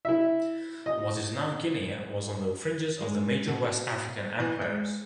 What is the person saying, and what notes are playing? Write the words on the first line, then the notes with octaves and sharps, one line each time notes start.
What is now Guinea was on the fringes of the major West African empires.
E4 E5
D#5
G#3
B2
E3
G#3